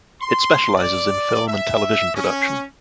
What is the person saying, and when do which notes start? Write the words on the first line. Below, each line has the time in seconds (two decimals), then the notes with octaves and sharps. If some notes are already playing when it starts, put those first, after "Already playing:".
It specializes in film and television production.
0.22 C6
0.76 D5
1.47 E5
2.15 C#4